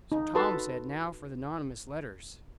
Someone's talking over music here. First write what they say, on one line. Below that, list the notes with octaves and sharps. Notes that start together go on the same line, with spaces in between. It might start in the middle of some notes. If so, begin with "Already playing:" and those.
So Tom said, now for the nonnamous letters.
D#4
F#4 A4 B4 A5 C6